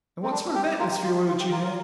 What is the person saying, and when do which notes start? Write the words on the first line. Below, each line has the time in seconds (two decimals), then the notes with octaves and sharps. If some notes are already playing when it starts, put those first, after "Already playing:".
And what sort of atmosphere would you have?
0.23 C4
0.31 D4
0.55 G4
0.79 F4 A#4
0.91 G4
1.03 F4
1.28 F4
1.40 G4
1.51 F4 A#4
1.64 F4 A#4